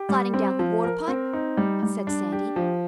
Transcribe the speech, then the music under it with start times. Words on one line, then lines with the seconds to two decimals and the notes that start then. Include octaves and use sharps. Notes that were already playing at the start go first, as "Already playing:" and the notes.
"Sliding down the water pipe," said Sandy.
Already playing: G4
0.09 G3
0.34 C4
0.59 F3
0.84 A#4
1.08 C4
1.33 D#4
1.57 G3
1.82 G3
2.07 D4
2.32 G4
2.56 F3